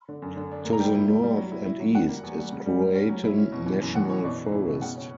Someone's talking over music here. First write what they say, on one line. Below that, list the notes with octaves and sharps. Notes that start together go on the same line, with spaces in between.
To the north and east is Croatan National Forest.
D3
F#2
D3
D4
A#3
A#5
G3 G5
E4
G3
G3
F#3
E4
E4
F#3
G3 F#5
A#3
E2
G3
C#3
G3
G3
C#4
F#3
E4
C#4
B2
E3
F#2
E3 F#5
E3 C#5
B2 D5
B2
E4
B2
C#3 F#5
C#4